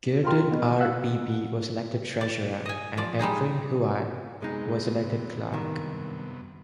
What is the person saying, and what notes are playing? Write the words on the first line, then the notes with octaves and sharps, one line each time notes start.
Guerdon R. Beebee was elected treasurer, and Ephraim Huyatt was elected clerk.
F4 A#4 G5 C6 F6
B2
F5 F#5 E6 F#6
D5
D#5 G#5
F3 D5
G3 G#3 D#4 G#4
F#2 C3 G#3 B3 D#4
G2 D#3